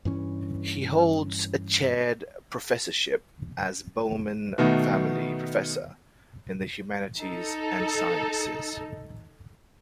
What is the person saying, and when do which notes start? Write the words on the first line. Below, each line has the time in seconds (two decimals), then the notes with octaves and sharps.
He holds a chaired professorship as Bowman Family Professor in the Humanities and Sciences.
0.05 G2 E3 C#4
4.58 B2 D#3 A3 B3
7.20 D#4 A4